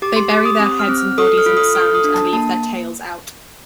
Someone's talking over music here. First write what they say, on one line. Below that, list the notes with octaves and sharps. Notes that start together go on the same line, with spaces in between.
They bury their heads and bodies in the sand and leave their tails out.
G4 D6
C6
G4 D6
D#6
C4 D#6
F6
C4
F6
A4 D#6
F6
F4
D#6
A4 F6
D#6
D4
A5
A#3 A5